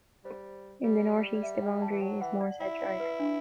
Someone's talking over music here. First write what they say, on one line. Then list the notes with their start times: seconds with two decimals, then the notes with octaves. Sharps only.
In the north east the boundary is Morshead Drive.
0.24 G3 C5
0.84 G3
1.35 D5
1.43 E5
1.62 G5
1.82 A5
1.90 E3
2.02 F#3 G5
2.21 E3 F#5
2.41 D5
2.61 E4 D5
2.80 D5
3.00 B4
3.20 D4